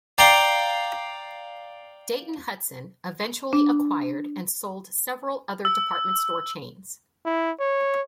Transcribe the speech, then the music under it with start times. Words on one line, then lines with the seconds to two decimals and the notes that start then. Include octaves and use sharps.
Dayton-Hudson eventually acquired and sold several other department store chains.
0.18 D5 F5 G5 A#5
3.53 D4
5.65 E6
7.25 E4
7.60 C#5